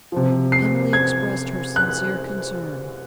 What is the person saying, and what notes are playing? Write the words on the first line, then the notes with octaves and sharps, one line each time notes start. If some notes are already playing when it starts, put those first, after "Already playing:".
Emily expressed her sincere concern.
C3 F3
C7
G#6
F#6